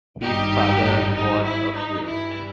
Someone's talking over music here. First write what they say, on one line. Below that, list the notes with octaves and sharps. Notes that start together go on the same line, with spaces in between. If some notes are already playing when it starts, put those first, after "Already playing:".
His father was a priest.
G#1 G2 G3 D#4 G4
D#4
E4
D#4
G2 E3 G3 E4